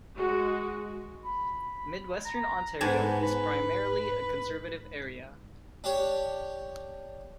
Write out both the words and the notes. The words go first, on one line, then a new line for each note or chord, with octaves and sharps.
Midwestern Ontario is primarily a conservative area.
G#3 F#4
B5
A#5
G#2 B3 G#5 A5
B4
D4 G4 C#5